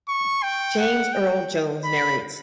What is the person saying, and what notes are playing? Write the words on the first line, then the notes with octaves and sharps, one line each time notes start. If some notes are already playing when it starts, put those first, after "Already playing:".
James Earl Jones narrates.
C#6
G5
F#5
G5
B5